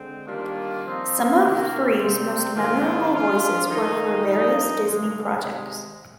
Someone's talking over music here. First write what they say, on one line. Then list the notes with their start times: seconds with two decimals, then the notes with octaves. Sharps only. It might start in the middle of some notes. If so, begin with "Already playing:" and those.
Some of Frees' most memorable voices were for various Disney projects.
Already playing: D3 G#3 C4
0.26 D#3 G3 A#3 D4 F4
0.83 F3 C4 D#4
1.41 C3 D#3 A#3
1.97 C3 G3 C4
2.54 G#2 D#3 A#3 D4 F4
3.11 F3 G#3 D4 F4
3.68 D#3 A#3 D#4
4.26 G2 F3 A#3 D#4
4.82 G2 D3 G#3
5.40 C3 D#3 G#3